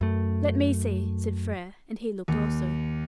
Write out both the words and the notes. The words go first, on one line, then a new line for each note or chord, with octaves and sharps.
"Let me see," said Frere; and he looked also.
F#2 A3
D#2